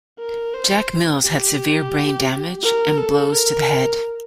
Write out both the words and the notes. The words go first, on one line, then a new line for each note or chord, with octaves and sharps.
Jack Mills had severe brain damage and blows to the head.
A#4
C5
G4
A#4
A4
A#4